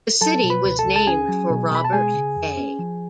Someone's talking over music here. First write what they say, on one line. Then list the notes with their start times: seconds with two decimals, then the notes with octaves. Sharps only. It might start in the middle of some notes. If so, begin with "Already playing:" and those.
The city was named for Robert A.
0.21 F#3 A4 A5
0.43 B2
0.50 B4 B5
0.64 C#2
0.79 A4 A5
0.86 C#2
0.96 A5
1.07 C#4 G#4 G#5
1.29 F#3
1.50 B2
1.72 B2 B5
1.84 A5
1.93 G#3 G#4 G#5
2.15 C#3
2.36 F2
2.57 C#4
2.79 F3